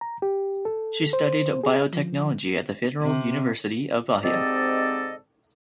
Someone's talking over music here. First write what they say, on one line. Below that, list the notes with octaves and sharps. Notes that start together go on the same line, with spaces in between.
She studied Biotechnology at the Federal University of Bahia.
A#5
G4
A4
C5
G#4
F3
C3
G#2 C3 C4 A4 D5 D#5